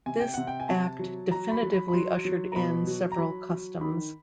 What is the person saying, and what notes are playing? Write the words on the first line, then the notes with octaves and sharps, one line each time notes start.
This act definitively ushered in several customs.
C3 G#5
G5
C3 F#5
G5
G#5
C3 A5
F#3
F#3 A#5
B5
F#3
B5
B5
F#3 C6
F#3
A#5
B2 B5
F#3
A#5
F#3 B5
F#3
D#3 B5